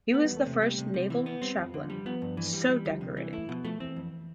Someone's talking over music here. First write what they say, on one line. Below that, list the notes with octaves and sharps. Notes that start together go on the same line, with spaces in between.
He was the first Naval Chaplain so decorated.
A3 B3
E2 G3
A3
C3
G3
C3
C3
E3
B3
G3 C4
F2 G3
F3
D3
F3
G3
F3 B3
G2
E3
G3
E3 G3
D2
F3
C3
G3
E3
A3 E4
B2 F3
F3 A3
E3 C4
F2